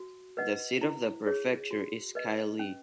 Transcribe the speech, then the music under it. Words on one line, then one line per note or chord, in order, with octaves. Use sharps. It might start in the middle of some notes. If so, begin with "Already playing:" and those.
The seat of the prefecture is Kaili.
Already playing: F#4
B4 D#5 F#5
E4
G#4 C#5
F#4
B4 D#5
C#4